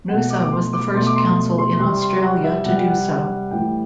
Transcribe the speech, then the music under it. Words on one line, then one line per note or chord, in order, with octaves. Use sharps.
Noosa was the first Council in Australia to do so.
B2 A3 F#5
D6
D6
C6
D6
B2 A3 C6
D6
C6
C6
C3 G3 C6
C6
F#5
E5
C3 G3 F#5
G5
F#5
F#5
A2 E3 G3 G5